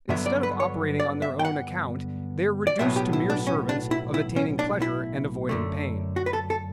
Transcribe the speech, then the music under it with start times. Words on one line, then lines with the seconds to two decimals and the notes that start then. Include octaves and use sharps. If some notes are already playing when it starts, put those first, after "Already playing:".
Instead of operating on their own account they are reduced to mere servants of attaining pleasure and avoiding pain.
0.09 G2 D3 F#3 B3 E5
0.26 D5
0.43 B4
0.60 C#5
1.00 D5
1.22 E5
1.39 G5
1.45 F#5
2.67 D5
2.79 B1 A2 F#3 B3 E5
2.96 G4
3.13 E4
3.30 D4
3.47 C#4
3.69 D4
3.91 E4
4.14 E4
4.36 C#4
4.59 D4
4.82 E4
5.49 F#2 D3 A3
6.16 F#4
6.26 B4
6.33 A4
6.50 A4